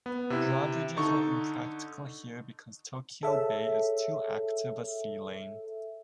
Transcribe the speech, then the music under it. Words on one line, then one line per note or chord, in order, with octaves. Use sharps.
Drawbridges were impractical here because Tokyo Bay is too active a sea lane.
B3
C3 E4
D3 D#4 A4 C#6
G#4 A4 C#5 E5